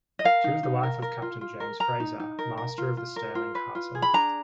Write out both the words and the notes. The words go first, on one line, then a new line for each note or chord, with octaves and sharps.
She was the wife of Captain James Fraser, master of the "Stirling Castle".
D#5
A#4 F5
D#4
D#4
A#4
A#4
F4
F4
A#4
A#4 A#5
D#4
D#4
A#4
A#4
F4
F4
A#4
F4
B4
F4
G#4
B5
D4 A#5